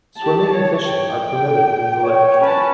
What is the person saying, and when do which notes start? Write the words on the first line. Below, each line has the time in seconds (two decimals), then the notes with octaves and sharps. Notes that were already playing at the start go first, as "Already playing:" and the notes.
Swimming and fishing are permitted in the lake.
0.18 G4 A5
0.54 C#5
0.87 G5
2.03 C#5
2.41 C#4 B4 A5